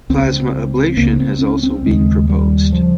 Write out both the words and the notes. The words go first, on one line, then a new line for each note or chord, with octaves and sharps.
Plasma ablation has also been proposed.
C#2 C#3 C4
C#2 C#3 A#3
C4
C#4
C4
D#2 C#3 G#3
G3
C#3 F3